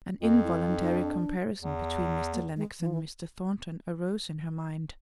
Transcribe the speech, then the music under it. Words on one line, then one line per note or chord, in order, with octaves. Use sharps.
An involuntary comparison between Mr. Lennox and Mr. Thornton arose in her mind.
F2 F4
E4
D#4
D#4
D4
E2
A#3
G#3
E3
F3
E3